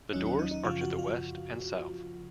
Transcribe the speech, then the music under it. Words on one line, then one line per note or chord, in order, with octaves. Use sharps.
The doors are to the west and south.
D#2 D#3 F#3 C#4
C#4
D#4
D#4
F#2 C#3 F3 F4
F#4
F4